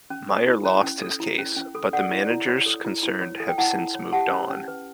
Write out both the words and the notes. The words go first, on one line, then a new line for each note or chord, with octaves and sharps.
Mayer lost his case, but the managers concerned have since moved on.
C#4
A4
E4
C#4
C#4
A4
E4
C#4
C#4
A4
A4 D5 F#5
E4
D5
E4
C#5
A4
E4
E4
C#5
A4
G5
E4 F#5 A5
E4
C#5
G4 F#5 A5
C#4
C#4
B4